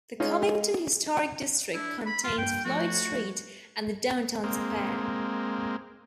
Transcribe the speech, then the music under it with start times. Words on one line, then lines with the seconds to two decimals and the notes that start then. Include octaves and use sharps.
The Covington Historic District contains Floyd Street and the downtown square.
0.20 G#3 C#4 D#4 F4
1.74 D4 E4
2.06 B5
2.24 F4 C6 F#6
2.38 G2 A#3 G5
2.65 F3 A3 F#4 C#5
4.44 G#3 A#3 C4